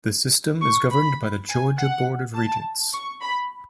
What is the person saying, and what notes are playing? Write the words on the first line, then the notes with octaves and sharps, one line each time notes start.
The System is governed by the Georgia Board of Regents.
C#6
B5
G#5
F#5
A5
C#6
B5